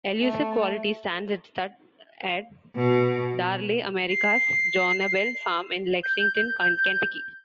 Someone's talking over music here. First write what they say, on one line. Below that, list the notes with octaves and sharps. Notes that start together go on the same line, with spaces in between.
Elusive Quality stands at stud at Darley America's Jonabell Farm in Lexington, Kentucky.
A3
B2
C7
G6